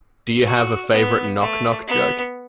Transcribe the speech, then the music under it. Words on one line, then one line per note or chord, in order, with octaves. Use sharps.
Do you have a favourite knock knock joke?
F#4
B3
A3
B3